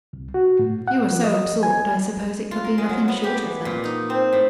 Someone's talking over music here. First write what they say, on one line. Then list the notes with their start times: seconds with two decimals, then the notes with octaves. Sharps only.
"You were so absorbed, I supposed it could be nothing short of that."
0.13 C2
0.34 F#4
0.59 A2
0.88 F#5
1.11 F3
1.24 D#5
1.63 G#5
2.51 F4
2.64 A#4
2.78 G#3
2.89 F#3
3.08 B3
3.24 G4
3.42 E3
3.65 A#2
3.84 D#4
4.10 C4
4.33 A2